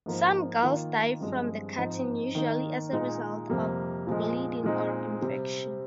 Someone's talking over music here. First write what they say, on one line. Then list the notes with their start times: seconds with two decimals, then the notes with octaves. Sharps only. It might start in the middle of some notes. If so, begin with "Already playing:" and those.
Some girls die from the cutting, usually as a result of bleeding or infection.
0.06 G#2 F3 A#3
0.63 D#3 A#3 F4
1.21 G2 F3 G#3 C4
1.77 G#2 F3 C4 D#4
2.35 D#3 A#3 D#4
2.93 A#2 G#3 D#4
3.50 F2 C3 G3 A#3
4.07 A#2 F3 G#3
4.63 A#2 G#3 C4 D#4
5.22 C3 G3 C4